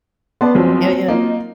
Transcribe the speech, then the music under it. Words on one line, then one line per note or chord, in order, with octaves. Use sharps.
Yeah, yeah.
B3 B4 D5 A5 C6
F#1 F3 F#3 C4
A#3 D#4 F4